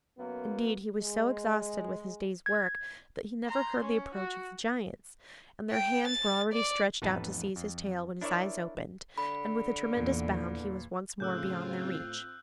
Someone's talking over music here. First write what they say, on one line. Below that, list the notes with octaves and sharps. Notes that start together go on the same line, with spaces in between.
Indeed, he was so exhausted with his day's work that he never heard the approach of the giants, and their hands were already stretched out to seize his tail when his eyes opened, and with a tremendous bound he was once more beyond their reach.
F#2 A#3 B3
G#3
G#6
A#5 C6
C#4
F#4
G5
A6
D5
A1 F2 B3 D#4 B4 A5
F2
D4 E4 A#4 C#5 D5 E5
D3 B5
E2 A#2
A2 C#3 C4 F4 D6 E6 F#6 G6